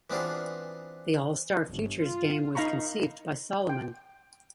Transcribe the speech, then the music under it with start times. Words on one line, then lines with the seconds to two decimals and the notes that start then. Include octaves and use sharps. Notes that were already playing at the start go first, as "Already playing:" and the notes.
The All-Star Futures Game was conceived by Solomon.
0.10 E3 B3 C4 D4 F4 G#4
1.69 G1
2.03 F4
2.55 D#4 F5 A#5 B5 C#6
3.69 G5